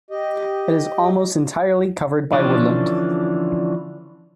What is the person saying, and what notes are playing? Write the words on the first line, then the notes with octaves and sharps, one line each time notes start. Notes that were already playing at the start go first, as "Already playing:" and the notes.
It is almost entirely covered by woodland.
G4 D#5
D3 E3 F3 C#4 D4